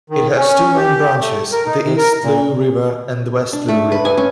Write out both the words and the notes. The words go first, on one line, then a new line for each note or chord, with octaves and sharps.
It has two main branches, the East Looe River and the West Looe River.
D#3
C#4
G4
A3
A#4
D#4
C3
A#4
A#2
D4
A3
B4
G#5
C#4